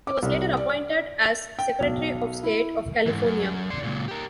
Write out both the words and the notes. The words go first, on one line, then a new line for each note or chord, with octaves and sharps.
He was later appointed as Secretary of State of California.
D6
C2
D5
G5
B1
E4
G#2 E3
F#2
D5 C6
C#2 A#2
G4 A#4